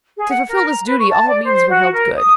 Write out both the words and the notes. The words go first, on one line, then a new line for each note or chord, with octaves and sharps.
To fulfil this duty all means were held good.
G#4
F#5
A#4
A#5
B4
C#6
A5
D5
C5
F#4
A#4
D#6